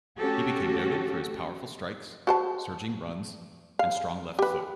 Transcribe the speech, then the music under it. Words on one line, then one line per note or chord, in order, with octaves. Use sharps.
He became noted for his powerful strikes, surging runs, and strong left foot.
A3 C#4 F#4 G4 A4
F#4 C5 A5
F5
G4 B4